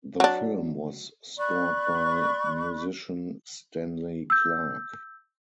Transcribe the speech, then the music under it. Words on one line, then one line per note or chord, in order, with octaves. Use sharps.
The film was scored by musician Stanley Clarke.
F#3 D4
D5 B5 C#6 F#6
E6 G6